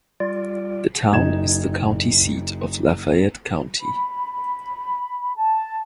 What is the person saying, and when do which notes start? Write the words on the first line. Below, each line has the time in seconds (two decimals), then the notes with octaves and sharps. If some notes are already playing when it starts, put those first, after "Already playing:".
The town is the county seat of Lafayette County.
0.20 G3 F4 D5
1.12 F#1 D#4 G#6 E7
3.80 B5
5.36 A5